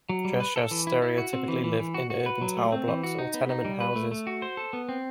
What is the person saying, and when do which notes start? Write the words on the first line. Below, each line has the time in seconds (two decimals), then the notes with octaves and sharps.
Dresiarze stereotypically live in urban tower blocks or tenement houses.
0.09 F#3
0.25 G3
0.40 B4
0.56 A4
0.71 E3
0.87 E4
1.02 E4
1.18 F#4
1.33 C4
1.48 E3
1.64 E3
1.79 E3
1.94 F#4
2.10 F#4
2.26 B4
2.41 F#3
2.57 A3
2.72 C4
2.88 E3
3.03 F#4
3.18 D#4
3.34 B3
3.49 D#4
3.65 G3
3.80 B4
3.95 A3
4.11 A3
4.27 F#4
4.42 C5
4.57 A4
4.73 B3
4.89 C4